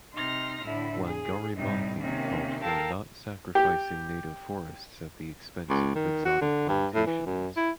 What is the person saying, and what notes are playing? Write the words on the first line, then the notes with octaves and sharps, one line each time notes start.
Wangari Maathai called for "not sacrificing native forests at the expense of exotic plantations".
C3 D#4 C6 F6 A#6
A2 D3 E4
G#4
A2 C3 G3 D#4
C3 D#3 A#3 C#4
A4 A#4 F5 G5 A5
G4
C#2
D#3
F#4
D3
G2
A2
E3
F#2
E4